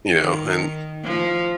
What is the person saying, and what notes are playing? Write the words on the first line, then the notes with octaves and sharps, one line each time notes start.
you know, and
D#3
F3